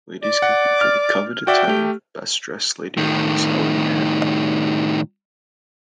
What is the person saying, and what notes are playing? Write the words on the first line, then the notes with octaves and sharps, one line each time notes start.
Ladies compete for the coveted title of Best Dressed Lady or Most Elegant Hat.
D5
F#5
F6
F#4 D5 E5 G5
A3 G4
A2 D#3